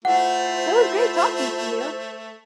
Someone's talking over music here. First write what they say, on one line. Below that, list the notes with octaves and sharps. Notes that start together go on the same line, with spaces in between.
So, it was great talking to you.
A3 E4 F4 C5 F#5